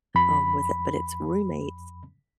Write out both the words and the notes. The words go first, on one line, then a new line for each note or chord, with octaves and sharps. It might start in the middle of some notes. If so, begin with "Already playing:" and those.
um, with it, but it's roommates
F2 B5